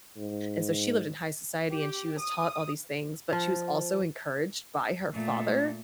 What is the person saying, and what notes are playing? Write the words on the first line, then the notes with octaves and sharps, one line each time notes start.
and so she lived in high society, and she was taught all these things, but she was also encouraged by her father,
G#2
G4
D#6
F3
A#2 A3